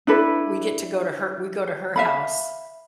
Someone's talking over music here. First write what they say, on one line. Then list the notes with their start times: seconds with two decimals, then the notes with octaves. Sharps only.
we get to go to her we go to her house.
0.07 D4 E4 A4 B4
1.96 E5 F5 B5